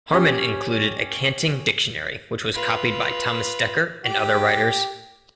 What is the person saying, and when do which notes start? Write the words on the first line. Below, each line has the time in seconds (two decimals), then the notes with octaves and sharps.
Harman included a canting dictionary which was copied by Thomas Dekker and other writers.
0.13 C#4 G4
2.54 F4 B4
4.06 G4